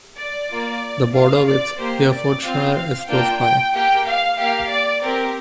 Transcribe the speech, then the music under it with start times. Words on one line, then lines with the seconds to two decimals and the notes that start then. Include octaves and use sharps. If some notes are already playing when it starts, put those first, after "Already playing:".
The border with Herefordshire is close by.
0.16 D5
0.49 A#3 F4
1.13 A#3 F4 F5
1.46 D5
1.79 A#3 G4 C5
2.11 D5
2.43 C4 F4 F5
2.75 F5
3.08 A#3 D4 F4 G5
3.41 G5
3.74 A#3 G4 G5
4.06 F5
4.38 A#3 G4 F5
4.70 D5
5.02 C4 G4 A#4